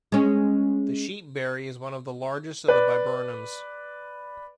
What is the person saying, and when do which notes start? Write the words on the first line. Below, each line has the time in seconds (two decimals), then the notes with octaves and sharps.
The sheepberry is one of the largest of the viburnums.
0.12 G#3 C#4
2.68 B4 D5